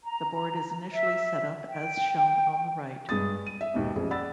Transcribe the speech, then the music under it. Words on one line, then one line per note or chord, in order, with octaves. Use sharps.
The board is initially set up as shown on the right.
A#5
E5
G5
G2 G#3 D#6 A6
D#7
E5
D#2 G#2 B2
A1 F2 G#4
D5 F#5 B5 E6 A6